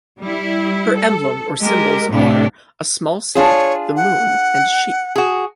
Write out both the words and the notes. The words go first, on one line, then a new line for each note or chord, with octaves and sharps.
Her emblem or symbols are, a small snake, the moon and sheep.
G3 E4
A4
G#3 G4 A#4
A2 C3 A3 D4 G4
D4 F4 G#4 C#5
F#5
F#4 G#4